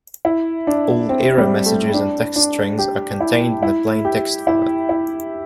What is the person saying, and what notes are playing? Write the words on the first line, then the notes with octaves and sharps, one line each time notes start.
All error messages and text strings are contained in a plain text file.
E4
D4
C4
G3
A3
D4
D4
G4
E4
E4
G4
E4
E4